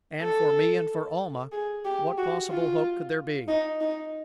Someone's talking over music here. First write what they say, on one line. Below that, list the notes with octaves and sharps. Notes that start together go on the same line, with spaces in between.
And for me and for Almah, what possible hope could there be?
A4
G#4
G4
F#4
F4
D#4
D#4